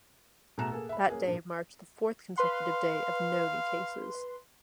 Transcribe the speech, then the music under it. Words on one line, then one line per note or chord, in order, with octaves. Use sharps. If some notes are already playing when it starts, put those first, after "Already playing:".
That day marked the fourth consecutive day of no new cases.
B2 A3 G#4 A#5 F#6 E7
A#3 G#4 A4
E5 B5
A#3 C#4 G#4
G2 A#2 F3
B4 F5 C6